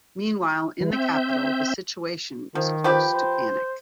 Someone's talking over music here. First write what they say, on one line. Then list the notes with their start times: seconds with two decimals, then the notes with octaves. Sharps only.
Meanwhile in the Capital, the situation is close to panic.
0.80 E3
0.93 C4 E5 G6
2.55 D#3 F3
2.84 F3 G4 B4
3.12 C5